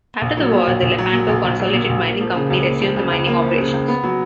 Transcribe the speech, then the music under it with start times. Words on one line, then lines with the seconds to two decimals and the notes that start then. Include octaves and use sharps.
After the war, the Lepanto Consolidated Mining Company resumed the mining operations.
0.21 A#1
0.37 F#3
0.52 A#2
0.67 A#1
0.82 A#1
0.98 F#3
1.12 A#2
1.28 A#1
1.44 A#1
1.60 F#3
1.74 A#2
1.89 A#1
2.05 A#3
2.21 F3
2.35 C#3
2.50 C#2
2.65 A#3
2.81 F3
2.96 C#3
3.11 C#2
3.27 A#3
3.42 F3
3.57 C#3
3.73 C#2
3.88 B3
4.04 F#3